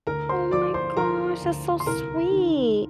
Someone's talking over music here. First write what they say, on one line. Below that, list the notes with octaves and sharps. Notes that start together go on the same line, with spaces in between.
Oh my gosh, that's so sweet.
D2 A#4 A#5
C5 C6
F3 D5 D6
C5 C6
F3 A#4 A#5
D2
C6
C2 A#4 A#5
D#3